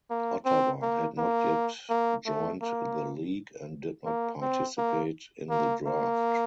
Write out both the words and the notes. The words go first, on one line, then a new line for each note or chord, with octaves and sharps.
Ottawa had not yet joined the league and did not participate in the draft.
A#3
C4
A#3
A#3
A#3
A3
A#3
A#3
C4
A#3
A#3
A#3